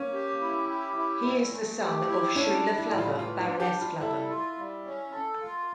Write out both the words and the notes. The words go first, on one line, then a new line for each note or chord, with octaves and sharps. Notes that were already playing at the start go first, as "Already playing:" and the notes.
He is the son of Shreela Flather, Baroness Flather.
Already playing: A#3 C#4
G4
E4
G4
E4
A#2
A3
G4
E4
C#4 D4
G3
E4
A2
F4
E3 F4
F4
D4
G4
G3
F4
E4 A4
F4
G3
C#4
A4
F4